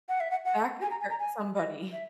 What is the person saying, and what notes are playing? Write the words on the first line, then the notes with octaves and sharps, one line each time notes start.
That could hurt somebody.
F#5
E5
F#5
F#5
G#5
A#5
G#5
A#5
G#5
D#5
E5